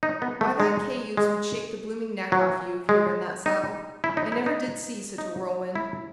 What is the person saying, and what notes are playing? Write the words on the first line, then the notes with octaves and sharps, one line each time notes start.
"Why, that cayuse would shake the blooming neck off you if you were in that saddle. I never did see such a whirlwind."
D#4
B3
A3
G#3
G#3
F#3
G#3
D#4
E4
D#4
E4
D#4
D#4
E4